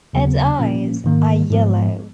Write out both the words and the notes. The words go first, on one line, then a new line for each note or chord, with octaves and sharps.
Its eyes are yellow.
D#2 C#3 F#3 B3
A#2 F3 A#3 C#4
G#2 D#3 A#3
G#2 F3 G#3 B3